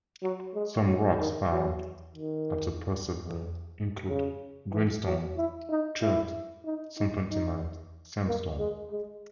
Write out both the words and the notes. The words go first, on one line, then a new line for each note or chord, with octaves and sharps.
Some rocks found at the preserve include: Greenstone, Chert, Serpentinite, Sandstone.
F#3
G#3
F#3
D#3
F#3
D#3
C#3
E3
F#3
E4
D#4
E4
D#4
D#4
D#4
A#3
G#3
G#3